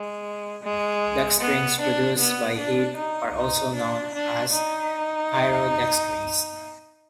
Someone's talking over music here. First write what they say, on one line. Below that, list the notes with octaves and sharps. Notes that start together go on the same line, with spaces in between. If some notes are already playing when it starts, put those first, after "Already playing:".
Dextrins produced by heat are also known as pyrodextrins.
Already playing: G#3
G#3
B3
D4
B3
D4
D#4
D#4
D4
D4
D#4